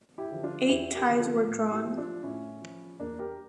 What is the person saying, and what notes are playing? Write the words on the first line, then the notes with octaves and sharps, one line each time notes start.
Eight ties were drawn.
E4 G4
D3 F3
D4 F4
E2 E4 G4
G4 A#4
D3 F3
F4 A4
A2
E4 G4
F3
D4 F4
A2 C#4 E4
F3
E2 A#3 D4
G4 A#4